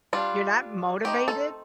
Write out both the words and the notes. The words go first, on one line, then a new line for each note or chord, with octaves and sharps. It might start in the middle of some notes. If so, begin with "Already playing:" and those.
you're not motivated?
G3 D4 F4
A3 C4 D#4 G4
A4